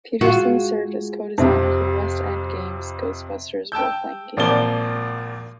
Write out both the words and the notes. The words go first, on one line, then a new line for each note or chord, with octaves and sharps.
Petersen served as co-designer for West End Games's "Ghostbusters" roleplaying game.
G#3 F4 F#4 G#4
F2 C3
G5 A5 E6 G6
G#1 A#2 F3 A#3 D5 G7